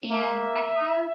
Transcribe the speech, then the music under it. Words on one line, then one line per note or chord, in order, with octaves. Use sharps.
and I have
A#3 E5